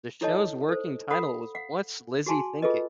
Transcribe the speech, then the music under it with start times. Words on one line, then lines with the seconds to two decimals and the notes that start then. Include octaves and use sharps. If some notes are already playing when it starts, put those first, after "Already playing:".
The show's working title was What's Lizzie Thinking?
0.21 D#4 E4 A4 C#5 D#5 A5
0.69 A4 C5
1.11 A4 F5 F#5 B5 D#6
1.55 F5 F#5
2.26 F#4 G#4 G#5 A5 C6
2.62 F4 G#4 A4 B4 D#5